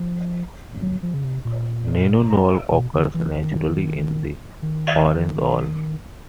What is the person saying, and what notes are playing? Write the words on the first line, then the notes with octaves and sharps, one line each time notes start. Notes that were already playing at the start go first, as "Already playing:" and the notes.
Nonanol occurs naturally in the orange oil.
Already playing: F3
F#3
F3
C#3
C3
A#2
B2
D3
E3
D#3
D#3